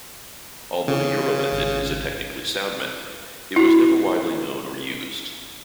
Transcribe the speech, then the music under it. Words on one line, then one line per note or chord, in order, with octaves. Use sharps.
Although Euromethod is a technically sound method it was never widely known or used.
C#3
G#1
E4 F#4